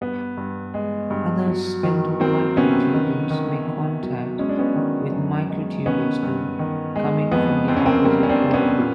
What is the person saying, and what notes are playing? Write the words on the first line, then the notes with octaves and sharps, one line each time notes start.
Other spindle microtubules make contact with microtubules coming from the opposite pole.
G2 B3
G2
G#3
G2
F#3
D#3
F#3 A#3 C4
C3 B3 C#4
D#3
D#3
D#3
F#3
G#3 C#4
D4
B3 C#4
D#3
F#2
G#3
D#3 B3 C#4
G2
D#3
G#3
F2 B3
F2 C4
C#4
A#3 C4
G3 A#3 C4
C#4
C4 D4
G3
B3 C#4
A#2